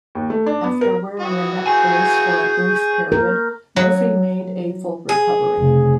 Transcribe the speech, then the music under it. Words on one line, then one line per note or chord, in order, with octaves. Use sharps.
After wearing a neck brace for a brief period, Murphy made a full recovery.
D#2
A3
D4
B3
A#4
E3 F#4 F#5 D#6
G#4 G#5 C#6 G6
A#4
F#3
G#4
F1 C#3